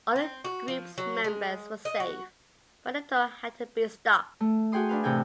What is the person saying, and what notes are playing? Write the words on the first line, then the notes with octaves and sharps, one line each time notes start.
All of the group's members were safe, but the tour had to be stopped.
C4
F#4
F3
F#3
G#3
D#5
F#4
A3
F#4 G#4 G5 C6 D#6
D4 B4 F5
A2 C3 E3 A4 G5 G#5